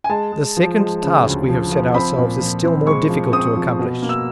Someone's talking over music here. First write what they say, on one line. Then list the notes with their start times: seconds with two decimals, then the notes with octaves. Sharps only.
The second task we have set ourselves is still more difficult to accomplish.
0.04 G#5
0.09 G#3 A5
0.32 G#3
0.56 F3
0.78 G#3
1.03 C#3
1.26 D2
1.49 F3
1.71 F3
1.94 C4 B5
2.17 A#2
2.41 F3
2.63 C4
2.86 G#3 C#6
3.09 F3
3.32 C4 D#6
3.56 F3
3.79 B2
4.02 A#3
4.09 E6